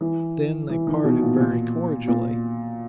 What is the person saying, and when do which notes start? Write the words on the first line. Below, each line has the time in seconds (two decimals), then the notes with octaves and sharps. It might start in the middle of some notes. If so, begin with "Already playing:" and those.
Then they parted very cordially.
0.01 E3
0.70 E3
0.87 D#3
1.04 B2
1.22 A#2
1.39 A#2
2.08 A#2